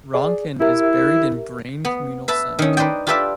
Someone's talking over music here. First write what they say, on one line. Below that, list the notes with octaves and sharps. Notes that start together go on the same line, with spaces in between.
Ranken is buried in Braine Communal Cemetery.
G#4 D5
E4 G4 A#4 E5
B3
B4 E5 A5
D#3 C#4
D#4 B4 C5 D5 G5
F4 G4 A4 B4 D5 E5